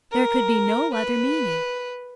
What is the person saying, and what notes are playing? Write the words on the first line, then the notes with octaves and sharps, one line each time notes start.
There could be no other meaning.
A#4
B4